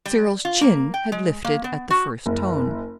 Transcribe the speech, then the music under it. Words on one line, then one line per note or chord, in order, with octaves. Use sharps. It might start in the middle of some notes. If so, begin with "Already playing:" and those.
Cyril's chin had lifted at the first tone.
G3
F4
A#3
G5
G#3
A#3
B3
F#4
F#1